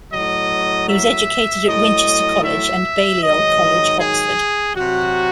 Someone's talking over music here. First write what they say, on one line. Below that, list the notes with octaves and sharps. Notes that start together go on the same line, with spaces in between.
He was educated at Winchester College and Balliol College, Oxford.
A2 F#3 D#5
E5
A2 F#3 D#5
E5
G#2 D#3 F#3 D#5
G#4
C3 F#3 F#4